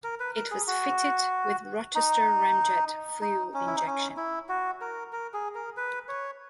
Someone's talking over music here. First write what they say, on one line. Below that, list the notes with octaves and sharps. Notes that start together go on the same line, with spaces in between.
It was fitted with Rochester Ramjet fuel injection.
A#4
B4
A#4
G#4
F#4
D#4
D#4
C#4
E4
D#4
C#4
E4
F#4
A#4
A#4
G#4
A#4
B4
C#5